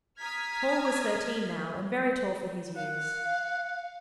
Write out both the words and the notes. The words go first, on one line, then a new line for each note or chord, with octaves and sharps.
Paul was thirteen now and very tall for his years.
A#5 D#6 F6 G#6 B6
F5 F#5